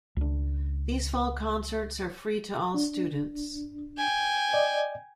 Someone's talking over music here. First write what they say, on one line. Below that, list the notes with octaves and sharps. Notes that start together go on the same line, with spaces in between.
These fall concerts are free to all students.
C#2 D4
D4
G5 G#5
D5 D#5